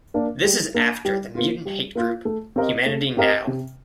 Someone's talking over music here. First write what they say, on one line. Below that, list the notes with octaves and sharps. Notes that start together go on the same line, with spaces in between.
This is after the mutant-hate group Humanity Now!
A#3 D4
G3
A#3 D4
G3
A#3 F4
G3
A#3 F4
A3
C4 G4 A#4 D#5
A3
C4 G4 A#4 D#5
C3